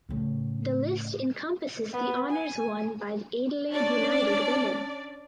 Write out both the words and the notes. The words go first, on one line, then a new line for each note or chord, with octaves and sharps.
The list encompasses the honours won by Adelaide United Women.
A2 C#3
B3
G#5
C#4 D4 D5